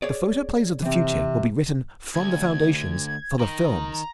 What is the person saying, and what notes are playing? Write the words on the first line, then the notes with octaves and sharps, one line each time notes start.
The photoplays of the future will be written from the foundations for the films.
G#4 C#5 D5
C3 E3 C4
D2 G#6
D#3 A#5